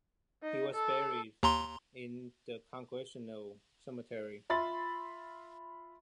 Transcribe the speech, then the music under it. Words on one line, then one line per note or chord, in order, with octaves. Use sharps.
He was buried in the Congressional Cemetery.
D#4
A4
D#2 A#5 C6
F4 E5 B5 C6 A6